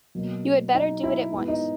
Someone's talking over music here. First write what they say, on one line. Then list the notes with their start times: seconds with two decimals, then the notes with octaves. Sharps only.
You had better do it at once.
0.15 B2 F#3 A#3
0.74 D#4
1.03 E4
1.33 G#2 E3 B3 E4
1.48 D#4